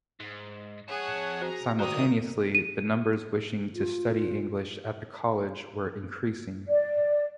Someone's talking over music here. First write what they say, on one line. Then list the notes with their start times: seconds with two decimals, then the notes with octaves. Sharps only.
Simultaneously, the numbers wishing to study English at the college were increasing.
0.20 G#2
0.89 F2 G#4 C#5 F#5 A5
1.41 F#4 C5 A#5
1.79 D#3 F#4 C5 D5 G5 A#5 D#6
2.55 D#7
3.75 F4
6.68 D5